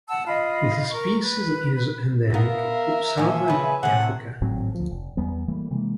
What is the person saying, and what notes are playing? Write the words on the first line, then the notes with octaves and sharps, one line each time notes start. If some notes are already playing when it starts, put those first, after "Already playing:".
The species is endemic to Southern Africa.
F#5 A5 E6
F4 D#5 B5
A#4 C#6
B4
B3 A#4 E5 F5
A#2 F3 G#5
C#3 B3 B4
A2 C3 F#5
G#1 A2 F#3 C4
D2 F3
F1
E2 G3 B3
E3 G3 A3 A#3
C3 E3 G#3 A#3